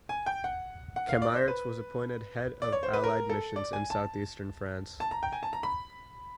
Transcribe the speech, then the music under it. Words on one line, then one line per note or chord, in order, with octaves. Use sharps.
Cammaerts was appointed head of Allied missions in southeastern France.
G#5
G5
F#5
F#5
F5
D5
C5
B4
D5
C#5
C5
B4
A#4
A4
D5
G#5
A5
A5
A#5
G5
G#5
A5
A#5
B5